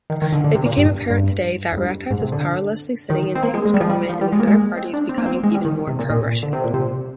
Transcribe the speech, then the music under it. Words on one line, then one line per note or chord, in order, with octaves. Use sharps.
It became apparent today that Ratas is powerlessly sitting in Toom’s government and the Center Party is becoming even more pro-Russian.
D#3
D#3
D3
D3
C3
A#2
G2
G2
F2
G2
G#2
C3
D3
D#3
C4
A#3
G#3
G#3
G3
F3
G3
F3
G3
G#3
A#3
G#3
C4
D4
C4
A#3
C4
G#3
G3
D#3
C3
A#2
A#2
D3
C3
A#2
C3